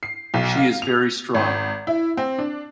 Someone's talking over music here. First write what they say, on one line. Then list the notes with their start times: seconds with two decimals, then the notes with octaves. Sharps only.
She is very strong.
0.03 C7
0.34 B1
0.57 F5
0.82 F7
1.34 G#1
1.87 E4
2.17 C4
2.38 D4